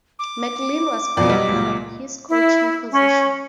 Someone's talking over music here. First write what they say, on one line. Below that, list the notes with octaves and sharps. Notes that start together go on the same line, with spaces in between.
MacLean was fired from his coaching position.
D6
F2 B2 D5
F#3 G3 D#5
C#2 A#2
E4
C#4